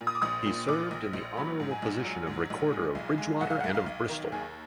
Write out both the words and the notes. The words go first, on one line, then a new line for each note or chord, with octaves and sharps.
He served in the honourable position of Recorder of Bridgwater and of Bristol.
A#2
D#6
D6
A#1 D#6
A#2
A#1 D6
A#1
A#1
F#3 B5
G#2
G#5
A#1
F#3
G#2
A#1
G#3
B1
G#3
B1 F#5
F5
F#5
B1
F5
B1
D#3 A#4
D#2 G#4